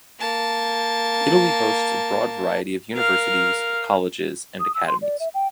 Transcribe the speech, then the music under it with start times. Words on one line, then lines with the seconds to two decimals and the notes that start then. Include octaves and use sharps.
Italy hosts a broad variety of universities, colleges and academies.
0.19 A#3 A5
2.93 A#4 F5
4.60 D#6
4.74 E6
4.87 C6
5.02 D5
5.20 E5
5.34 G5